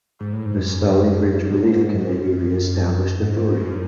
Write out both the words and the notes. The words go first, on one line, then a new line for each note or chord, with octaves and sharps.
The Stalybridge relief committee re-established authority.
G#2
A2
G#2
F#2
F#2
B2
A2
G#2
F#2
G#2
F#2